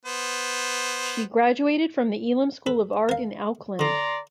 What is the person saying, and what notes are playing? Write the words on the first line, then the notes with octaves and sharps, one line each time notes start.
She graduated from the Elam School of Art in Auckland.
B3 C5
A4 B4
A#4 F5
D3 A4 D5 A#5 C6